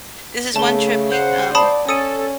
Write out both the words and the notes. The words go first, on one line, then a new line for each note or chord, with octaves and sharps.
This is one trip we, um
C#3 A3 A5 G7
C5 F#5
D5 A5 B5 D#6
C#4 A4 D#6 C#7 D#7